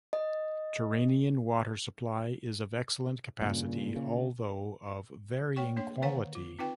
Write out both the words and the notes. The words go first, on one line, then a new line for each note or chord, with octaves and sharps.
Terranean water supply is of excellent capacity, although of varying quality.
D#5
G2 A#2 C#3
C#3
A3 C#5 G5 C#6
A#3 D4 C#5
D3 D#3 C5 C#5 F5 F#5
F4
C4 D#4 F4 B4 G5